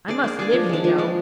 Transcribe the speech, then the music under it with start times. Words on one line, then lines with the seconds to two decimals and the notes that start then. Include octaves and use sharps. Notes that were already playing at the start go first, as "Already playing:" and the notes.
I must live, you know!
0.08 D4 G#4 D5
0.24 A#3
0.39 D4 G#4 D5
0.53 F3
0.69 G#3 D4
0.84 F3
0.98 G#3 D4